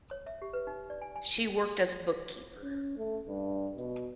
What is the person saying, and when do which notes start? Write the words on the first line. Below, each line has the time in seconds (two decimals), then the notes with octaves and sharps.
She worked as bookkeeper.
0.11 C#5
0.26 E5
0.42 G4
0.53 B4
0.67 D#4
0.90 D5
1.02 G#5
1.16 G#5
2.63 C#4
2.98 A3
3.29 G2
3.77 B2